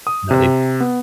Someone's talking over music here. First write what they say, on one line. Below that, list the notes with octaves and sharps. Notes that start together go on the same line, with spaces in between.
e now they
D#6
C3
B3